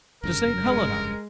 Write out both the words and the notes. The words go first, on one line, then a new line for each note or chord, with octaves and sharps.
"To Saint Helena."
F1 G2 C#3 A#4
G#3